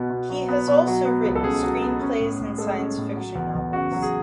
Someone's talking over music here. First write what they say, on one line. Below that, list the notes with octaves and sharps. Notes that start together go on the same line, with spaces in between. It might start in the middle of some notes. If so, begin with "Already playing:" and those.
He has also written screenplays and science-fiction novels.
Already playing: B2 B3
B2
F#3
B3
B2
F#3
B3
C#2
A4
C#3 G#4
F#3
B3
C#4
A2
A2
G#3 A4
C#4
A2
F#3
E2
E2
C#3 F#4
F#3
G#4